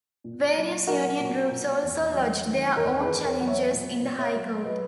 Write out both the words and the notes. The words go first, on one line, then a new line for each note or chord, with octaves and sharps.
Various union groups also lodged their own challenge in the High Court.
A#2
F#3
F#3 F#4 A#4
A#2
A#2
E2
F#3
D#3
E2 A#4 C#5
G#4 B4
E2
A#4 C#5
F#3 F#5
C#5 E5
A#2
A#2
C#5 E5
F#3
F#3 B4 D#5